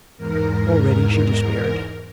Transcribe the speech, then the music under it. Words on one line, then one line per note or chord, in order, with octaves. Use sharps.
Already she despaired.
E2 G#2 A#4